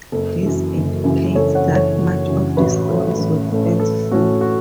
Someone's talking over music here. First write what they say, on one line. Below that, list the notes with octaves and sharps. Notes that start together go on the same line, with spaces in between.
This indicates that much of the stories were fanciful.
F#1 A4
F#2 C#3 E3
F#1
F#2 C#3 E3
F#1 A4 C#5
C#5 F#5
F#2 C#3 E3
A4 C#5
F#1
F#2 C#3 E3
A1 F#4 B4
A2 A3 C#4
A1
A2 A3 C#4
A1 A4
A2 A3 C#4 F#4
F#4